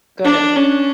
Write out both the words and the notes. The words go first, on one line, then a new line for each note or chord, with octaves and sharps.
go ahead.
D4
C#4